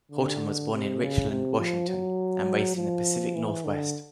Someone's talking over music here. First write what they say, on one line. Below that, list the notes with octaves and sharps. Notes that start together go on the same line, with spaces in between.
Horton was born in Richland, Washington, and raised in the Pacific Northwest.
D3
C3
C#3
C3
F3
F#3
F3
E3
D3